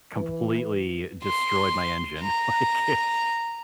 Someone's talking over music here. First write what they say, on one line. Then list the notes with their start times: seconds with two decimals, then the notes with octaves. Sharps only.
completely destroyed my engine, like, it
0.15 E3
1.24 C6
2.20 A#5